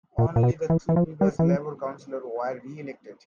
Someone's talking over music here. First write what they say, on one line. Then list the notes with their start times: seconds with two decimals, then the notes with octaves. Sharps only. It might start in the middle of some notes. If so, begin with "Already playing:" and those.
Only the three previous Labour councillors were re-elected.
0.18 A#2
0.36 A#2
0.43 B2
0.70 E3
0.89 E3
0.96 F3
1.21 G3
1.39 E3
1.48 F3